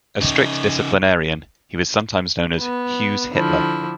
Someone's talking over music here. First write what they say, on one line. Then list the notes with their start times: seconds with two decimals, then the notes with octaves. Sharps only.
A strict disciplinarian, he was sometimes known as 'Hughes-Hitler'.
0.21 C#3 D#4
2.59 B3
3.33 D3 F3 E4